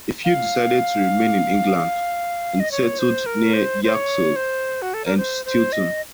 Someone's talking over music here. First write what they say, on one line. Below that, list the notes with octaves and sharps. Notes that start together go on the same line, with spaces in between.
A few decided to remain in England and settled near Yaxley and Stilton.
F5
D#5
C#5
C5
A#4
C5
C5
C#5
C5
F#4
A4
A#4
C5
C5
D#5